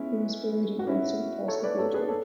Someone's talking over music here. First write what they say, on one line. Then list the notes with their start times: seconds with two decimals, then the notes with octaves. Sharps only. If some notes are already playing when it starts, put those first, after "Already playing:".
He was buried in Old Saint Paul's Cathedral.
Already playing: G#3 B3 C#4 E4
0.79 F#4
0.87 C#4 E4
1.48 A4 C#5
1.63 B4 D5
1.78 A4 C#5
1.94 G#4 B4
2.09 A4